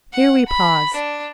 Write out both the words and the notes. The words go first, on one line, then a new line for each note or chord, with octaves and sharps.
Here we pause.
F#5
B5
D4